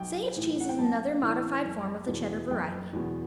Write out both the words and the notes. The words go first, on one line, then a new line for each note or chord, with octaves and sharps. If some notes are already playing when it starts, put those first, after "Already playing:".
Sage cheese is another modified form of the Cheddar variety.
Already playing: B1 G5
A2 E3
F#5
G5
B1 A5
A2 E3
F#1
E2 B2
F#1 G5
E2 B2